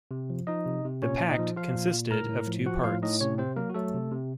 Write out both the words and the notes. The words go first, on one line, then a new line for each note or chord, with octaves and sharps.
The pact consisted of two parts.
C3
F3
F3 D#4 D#5
C3
C3
A#2 C#4 C#5
A#2
D#4 D#5
F3
F3 F4 F5
A#2
A#2
A2 A#4 A#5
A2
F3
F3 F#4 F#5
A2 F4 F5
A2 D#4 D#5
C3 C#4 C#5
C3 C4 C5
F#3 A#3 A#4
F#4
F#3 A3 A4
C3
C3